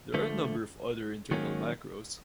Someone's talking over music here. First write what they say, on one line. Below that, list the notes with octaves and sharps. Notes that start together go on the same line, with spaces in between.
There are a number of other internal macros.
D3 F3 A3
D#3 F#3 A#3 C#4